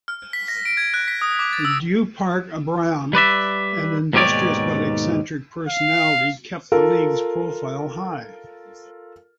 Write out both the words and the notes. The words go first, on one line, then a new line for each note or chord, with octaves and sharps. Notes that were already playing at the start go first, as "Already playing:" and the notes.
Du Parc Braham, an industrious but eccentric personality, kept the league's profile high.
F6
B6
A#6
D7
G#6
F#6
B6
D#6
D6
A6
E6
G3 B4 D5 E5
D#2 G#2 B2 G4 C#5 D5
F5
F4 A4 A#4